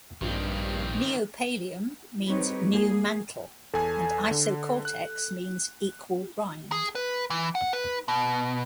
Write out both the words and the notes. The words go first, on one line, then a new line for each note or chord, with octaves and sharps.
Neopallium means "new mantle" and isocortex means "equal rind".
A#1 G2 D#3 C4
G3 C4 D#4 G4 B4 C#5
A#3 G#4
E2 A4 G#5
D3
F#6
G#4
B4
E3
F#5
B4
B2